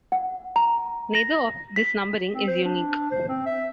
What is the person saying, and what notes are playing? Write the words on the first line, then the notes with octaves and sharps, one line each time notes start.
Neither of this numbering is unique.
F#5
A#5
A#6
B6
C4
C5
D4
C5
C4
E5